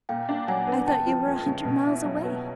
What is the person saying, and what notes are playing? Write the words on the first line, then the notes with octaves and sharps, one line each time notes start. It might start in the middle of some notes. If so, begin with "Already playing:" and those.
I thought you were a hundred miles away.
A#2 F5 G5
D4
F#3 F#5 G#5
B3
F#1 G5 A5
F3
F2
C#3
B2
E4
F#3
B3